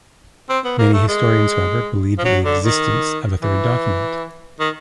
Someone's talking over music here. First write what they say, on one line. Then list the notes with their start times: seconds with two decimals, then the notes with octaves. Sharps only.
Many historians, however, believed the existence of a third document.
0.49 C4
0.64 B3
0.79 A#3
0.94 A3
1.08 G#3
2.18 F3
2.25 F#3
2.44 D3
2.64 D#3
3.43 E3
4.60 D#3